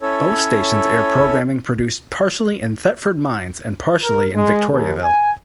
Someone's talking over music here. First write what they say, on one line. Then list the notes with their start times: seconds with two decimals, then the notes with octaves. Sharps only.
Both stations air programming produced partially in Thetford Mines and partially in Victoriaville.
0.01 C#4 E4 A4 C#5
4.02 A#4
4.34 G#3
4.71 D#2
5.04 G#5